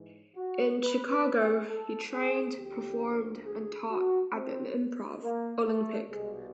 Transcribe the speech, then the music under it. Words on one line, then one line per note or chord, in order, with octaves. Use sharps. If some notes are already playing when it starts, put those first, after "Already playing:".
In Chicago, he trained, performed, and taught at the Improv Olympic.
Already playing: G#2 E3
F#4
B4
B4
G#4
A4
G#4
D2 D3 F3 G4
G#4
F#4
C4
A#3
A3
C2 B2 G#3